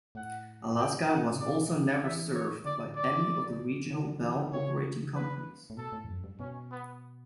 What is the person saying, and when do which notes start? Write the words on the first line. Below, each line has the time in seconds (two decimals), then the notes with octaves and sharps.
Alaska was also never served by any of the Regional Bell Operating Companies.
0.15 A2 F#5
0.78 G5
1.09 F#5
1.32 C#3
1.40 B2 D5
2.03 E3 E5
2.34 C#5
2.65 D3 D5
2.96 D5
3.90 C#3
4.06 D3
4.21 E3
4.37 D3
4.52 C#3 C#5
5.15 B4
5.70 A2
5.77 B2 A4
5.92 A2
6.04 E2
6.08 F#2
6.24 G2
6.40 B2 C#4
6.71 B3